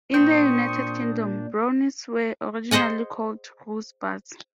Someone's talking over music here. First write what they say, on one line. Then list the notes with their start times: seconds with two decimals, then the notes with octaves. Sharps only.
In the United Kingdom, Brownies were originally called Rosebuds.
0.14 A#2 C4 D4 C6 C#6 D#6 G6
2.71 G#4 C5 D#5 F#5 G#5